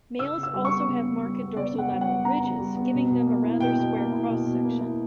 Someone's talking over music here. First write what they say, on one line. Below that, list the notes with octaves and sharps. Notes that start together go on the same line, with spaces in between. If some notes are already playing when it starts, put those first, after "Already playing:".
Males also have marked dorsolateral ridges, giving them a rather square cross-section.
C#3 E6
C#3
E6
G3
C#6
B3
C#3
C#3
G3
B3
C#3 D5
C#3
F#5
G3
F#5
B3
C#3 A#5
C#3
G3
B3
B2
B2
A#3
E4
B2 G5
B2
A#3
E4
B2
B2
A#3
E4